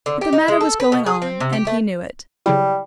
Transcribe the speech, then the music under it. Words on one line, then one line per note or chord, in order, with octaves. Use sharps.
But the matter was going on, and he knew it.
D3
G4
D#4
G#3
A4
B4
B2
G#4
C4
C3
G4
A3
C#3 F#3 G3 E4